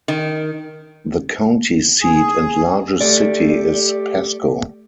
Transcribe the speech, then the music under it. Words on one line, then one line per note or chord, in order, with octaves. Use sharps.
The county seat and largest city is Pasco.
D#3
G#4
A3 G4 D5